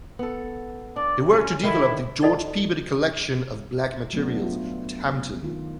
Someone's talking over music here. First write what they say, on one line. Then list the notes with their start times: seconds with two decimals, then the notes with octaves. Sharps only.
He worked to develop the George Peabody Collection of Black materials at Hampton.
0.19 B3 A4
0.96 D4 D5
1.26 C#4
1.63 D3 D#3 E4
2.23 D#4 F4 A4 D5 D#5
4.13 F#3 A3 B3 D4
4.44 F4
5.43 D#3 F4